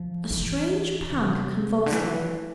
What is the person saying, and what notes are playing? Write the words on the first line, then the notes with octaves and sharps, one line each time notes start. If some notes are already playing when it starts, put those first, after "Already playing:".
A strange pang convulsed her.
Already playing: F3
E3
C3
D3
E3